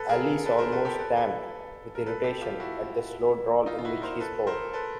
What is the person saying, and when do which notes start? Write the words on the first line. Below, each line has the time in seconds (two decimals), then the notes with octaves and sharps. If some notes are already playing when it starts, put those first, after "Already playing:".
Alice almost stamped with irritation at the slow drawl in which he spoke.
Already playing: A4 B4
0.09 G#4 A#4
0.46 A4 B4
0.59 A#4 C5
0.72 A4 B4
0.85 G4 A4
0.99 A4 B4
1.16 A4 B4
1.95 A#4
2.06 A4 B4
2.24 G4 A4
2.41 F4 G4
2.60 E4 F#4
3.66 D#4 F4
3.78 F4
3.85 E4 F#4
4.02 A#4 C5
4.20 A4 B4
4.47 A#4 C5
4.73 A4 B4